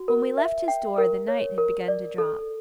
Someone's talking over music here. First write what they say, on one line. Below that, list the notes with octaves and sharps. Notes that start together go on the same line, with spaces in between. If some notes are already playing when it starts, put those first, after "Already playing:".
When we left his door the night had begun to drop.
Already playing: F#4
A#4
E5
G5
A#4
C#5
A#4
D5
A4